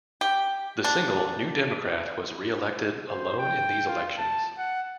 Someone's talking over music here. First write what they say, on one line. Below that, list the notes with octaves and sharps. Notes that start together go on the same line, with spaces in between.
The single New Democrat was re-elected alone in these elections.
G4
D4
C5
G5
F4
A5
F#5